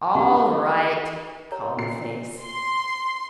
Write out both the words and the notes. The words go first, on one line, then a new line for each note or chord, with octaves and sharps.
"All right," called the face.
C#2 G4 F#5 C#6
D#4
A#4 C#5 A#5
A#2 A4 C7
C6